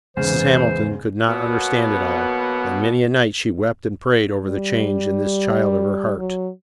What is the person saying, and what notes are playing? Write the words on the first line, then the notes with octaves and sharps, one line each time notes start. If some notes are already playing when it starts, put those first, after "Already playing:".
Mrs. Hamilton could not understand it all, and many a night she wept and prayed over the change in this child of her heart.
E2 G#2 C#3 E3 C5
B2 F#3 A#3 B3
G3
F#3